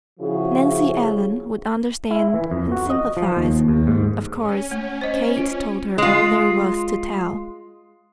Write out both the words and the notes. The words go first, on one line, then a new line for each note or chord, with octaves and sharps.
Nancy Ellen would understand and sympathize; of course Kate told her all there was to tell.
C#3 F3 E4 F#4 G#4
E4
E3
F2
F#4
D#5
F3
D#2
D#2
G#2
C#4
A3
C5 D#5
F4
G#3 F4